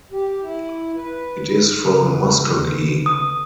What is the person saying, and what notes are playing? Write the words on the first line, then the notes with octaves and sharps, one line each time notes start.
It is from Muskogee.
G4
E4
B4
C#3 A4 B4
D#6